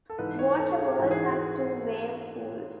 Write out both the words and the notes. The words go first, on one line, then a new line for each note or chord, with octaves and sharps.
Water World has two wave pools.
A4
G#2 E3 B4
C#5
A4
G#4
G#2 E3 F#4
G#4
F#4